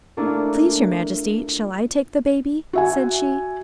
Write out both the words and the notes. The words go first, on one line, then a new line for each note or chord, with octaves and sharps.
"Please, your Majesty, shall I take the baby?" said she.
A3 A#3 D4 E4 F4
F#4 E5 G#5